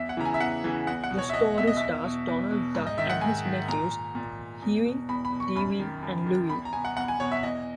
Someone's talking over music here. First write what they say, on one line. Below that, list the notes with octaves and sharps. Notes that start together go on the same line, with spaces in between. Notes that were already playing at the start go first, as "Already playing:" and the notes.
The story stars Donald Duck and his nephews Huey, Dewey, and Louie.
Already playing: E2 E5
F#5
C#3 E3 A#5
G#5
E5
E2 F#5
C#3 E3
E2 F#5
F#5
B2
C#5
E5
E2 D#5
B2 E5
D#5
E2 E5
B2
E2
B2
G#2
D#5
D#3 E5
F#5
G#2 G#5
D#3
A#2 A#5
A#2
E2
B2
E2 B5
B5
B2
C#6
F#2 B5
D#3
F#2
D#3
E2 B5
A#5
B2 G#5
F#5
E2 F#5
G#5
B2 C#5
E5
E2 D#5